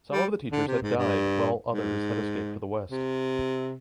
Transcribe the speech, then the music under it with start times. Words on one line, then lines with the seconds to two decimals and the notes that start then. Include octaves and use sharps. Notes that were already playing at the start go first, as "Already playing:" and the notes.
Some of the teachers had died while others had escaped to the west.
0.12 G3
0.52 D3
0.67 C3
0.82 G#2
0.97 G2
1.72 G#2
2.91 C3